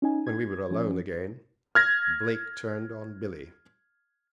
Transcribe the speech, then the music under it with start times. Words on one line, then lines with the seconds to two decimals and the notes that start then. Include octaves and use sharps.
When we were alone again Blake turned on Billy.
0.02 C#4 D#4 G#5
0.27 G#6
0.71 F3 C#4
1.75 F6 G#6 A#6